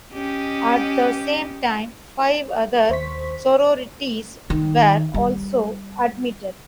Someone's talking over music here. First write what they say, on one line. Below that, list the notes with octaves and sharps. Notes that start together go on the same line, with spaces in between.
At the same time, five other sororities were also admitted.
C#4 G4 D#5
D#2 C5 C#6 B6
D#3
G3